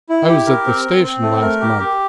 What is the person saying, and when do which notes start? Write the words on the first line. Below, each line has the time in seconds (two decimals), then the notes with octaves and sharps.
I was at the station last month.
0.09 E4
0.28 G4
0.46 A#4
0.66 C4
0.84 C4
1.03 C4
1.22 A3
1.41 A#4
1.61 G4
1.79 G4